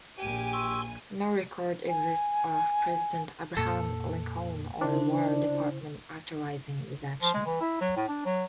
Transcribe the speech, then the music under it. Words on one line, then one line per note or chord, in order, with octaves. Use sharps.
No record exists of President Abraham Lincoln or the War Department authorizing this action.
A#1 G4 G#5
C6 C#6 E6
G#5
F2 A#2 A#3 A4
C#3 D4 E4 C5
F3
G#3
E3
E4
F#3
A2
D4
F#3